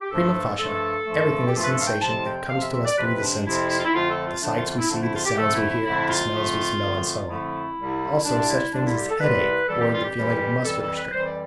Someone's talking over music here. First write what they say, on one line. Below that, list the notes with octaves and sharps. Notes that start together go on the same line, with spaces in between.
Prima facie, everything is sensation that comes to us through the senses: the sights we see, the sounds we hear, the smells we smell, and so on; also such things as headache or the feeling of muscular strain.
G4
G2 F3 A3 A4
G2 F3 A3 A4
G2 F3 A3
G4
G2 F3 A3 F4
B4
A4
F5
G5
F2 C3 F3 A5
G5
F2 C3 F3 F5
E5
E5
D5
F2 C3 F3 B4
D4
F2 C3 F3 E4
E4
F4
E4
F2 D3 F3 A3 F4
A4
F4
F2 D3 F3 A3 D4
F4
F4
E4
F2 D3 F3 A3 D4
E4
F4
G4
F2 D3 F3 A3 A4
E4
E4
F2 D3 F3 A3 E4
F4
F2 D3 F3 A3
F2 D3 F3 A3
F2 D3 F3 A3 E4
C2 C3 G3
C2 C3 G3 D4
E4
C2 C3 G3 D4
E4
F4
G4
A4
C2 C3 G3 B4
F2 E3 G3 A4
G4
F4
G4
F2 E3 G3
F2 E3 G3 A4
A4
B4
F2 E3 G3 C5
D5